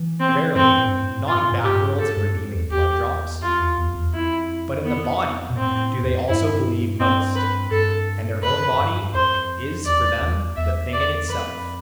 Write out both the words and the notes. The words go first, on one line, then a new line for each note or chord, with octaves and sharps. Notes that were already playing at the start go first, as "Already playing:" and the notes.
Verily, not in backworlds and redeeming blood-drops: but in the body do they also believe most; and their own body is for them the thing-in-itself.
Already playing: E3
C4
G2 C4
A2
G2
A2
G2
A2
G2
A2
G2
A2 F4
G2
A2
G2
A2
G2 G4
A4
G2
F2
E2
E2 G4
F2 F4
E2
E2
F2
E2
F2 E4
B3
B2
A2 C4
E2
F2
G2 E4
G2 C4
B4
G2 A4
F2 B4
G2
F2 C5
E2 D5
E2
E2 E5
D5
F2 B4